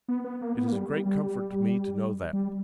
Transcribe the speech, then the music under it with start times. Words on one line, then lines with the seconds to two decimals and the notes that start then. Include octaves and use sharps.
It is a great comfort to me to know that.
0.08 B3
0.24 B3
0.41 A#3
0.57 B3
0.68 A#3
0.73 G3
0.89 G3
1.06 G3
2.33 G3